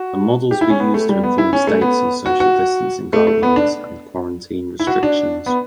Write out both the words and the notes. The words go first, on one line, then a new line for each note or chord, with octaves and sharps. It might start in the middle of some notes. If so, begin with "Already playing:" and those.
Her models were used to inform states on social distancing guidelines and quarantine restrictions.
Already playing: F#4
G4
E4
C#4
B3
A3
G3
B3
E4
C#4
A3
B3
F#4
F#4
A3
A3
B3
D4
E4
F#4
D4
B3